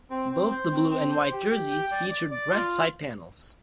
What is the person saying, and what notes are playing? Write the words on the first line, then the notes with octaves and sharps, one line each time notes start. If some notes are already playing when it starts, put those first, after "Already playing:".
Both the blue and white jerseys featured red side panels.
C4
C4
C5
C4
C4
C5
G4
G4
G5
D5
D5
D5
F4